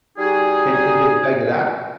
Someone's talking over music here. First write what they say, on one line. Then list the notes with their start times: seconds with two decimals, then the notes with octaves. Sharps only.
and and just the fact that I
0.18 G3 D#4 F#4 G#4